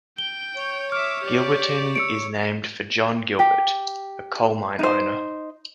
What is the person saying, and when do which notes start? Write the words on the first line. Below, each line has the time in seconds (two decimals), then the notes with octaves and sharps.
Gilberton is named for John Gilbert, a coal mine owner.
0.18 G5 G7
0.56 C#5
0.92 E5 D6 F6
1.23 G4 D5
1.96 E6 C#7 D7
3.39 G4
4.79 D#4 C5